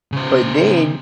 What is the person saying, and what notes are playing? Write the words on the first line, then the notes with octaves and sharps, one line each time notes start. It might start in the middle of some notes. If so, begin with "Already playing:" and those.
but then,
C#3 C5